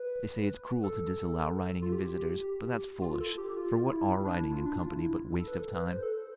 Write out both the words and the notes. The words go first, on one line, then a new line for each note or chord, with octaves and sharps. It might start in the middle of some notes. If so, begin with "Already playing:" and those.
They say it's cruel to disallow writing and visitors; but that's foolish, for what are writing and company but waste of time?
Already playing: B4
A4
F4
G4
F4
A4
G4
F4
F4
E4
D4
D4
E4
F4
D4
F4
E4
A4
B4
A4
B4
C5
A4